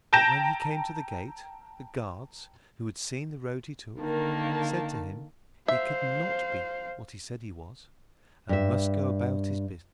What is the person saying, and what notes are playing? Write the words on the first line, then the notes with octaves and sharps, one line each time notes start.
But when he came to the gate, the guards, who had seen the road he took, said to him, he could not be what he said he was, and must go about his business.
G5 A5 A#5 G6 A#6 E7
D3 D#3 A#3 A5
C5 E5 F5
G2 E5